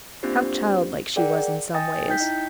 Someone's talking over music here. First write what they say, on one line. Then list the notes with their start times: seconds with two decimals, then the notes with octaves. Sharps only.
How childlike she was in some ways!
0.23 A#3 C4 D4 F4 G4 C5
1.16 G#4 A#4 D5 F#5 G5
1.74 D#5 G5 G#5 D#6 A6 A#6
2.08 D#4 G5 G6 B6
2.20 E4 D#5